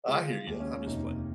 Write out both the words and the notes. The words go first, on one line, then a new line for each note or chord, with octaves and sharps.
I hear ya, I'm just playing.
G#3 F4 G#4
D#2
C#4
F1 D#4